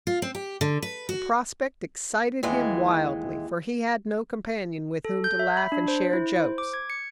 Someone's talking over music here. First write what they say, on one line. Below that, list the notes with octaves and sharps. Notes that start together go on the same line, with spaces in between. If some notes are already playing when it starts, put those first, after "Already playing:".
The prospect excited him wildly, for he had no companion with whom to laugh and share jokes.
F4
C4
G4
D3
B4
F#4
D#2 E3 G#3
A4
G6
E5
B5
D4
C5
E4
C5
D6
G#6
C#7